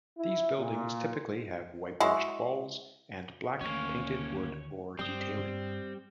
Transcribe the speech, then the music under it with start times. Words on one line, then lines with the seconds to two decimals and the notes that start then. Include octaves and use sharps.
These buildings typically have whitewashed walls, and black painted wood or detailing.
0.17 E4
0.58 A#2
2.00 G#3 E4 F#4
3.61 D2 D#3 A#3 C#4 C#5
4.99 G2 G3 C4 D#6